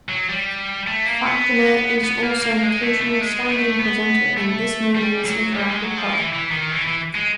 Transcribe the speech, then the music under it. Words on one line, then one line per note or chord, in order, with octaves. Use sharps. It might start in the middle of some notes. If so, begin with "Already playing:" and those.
Falconer is also an occasional stand-in presenter in "This Morning's" interactive "hub".
F#3
G3
A3
A#3
B3
B3
A#3
A#3
G#3
A3
A3
G#3
A3
B3
A3
G3
F#3
G3
G#3
F#3
F3
E3
E3
D#3
E3
E3
G#3